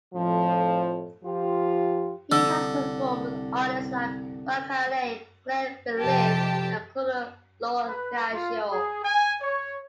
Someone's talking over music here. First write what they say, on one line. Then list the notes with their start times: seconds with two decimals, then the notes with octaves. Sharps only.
He has performed with artists like Rakali, Glen Velez and Claudio Lo Cascio.
0.14 F2 A2 F3
1.24 F3 F4 G4
2.32 C2 D3 E6
6.01 F2 C3 G4 A5
7.87 B4
8.33 F4
8.72 G#4
9.04 G#5
9.41 C#5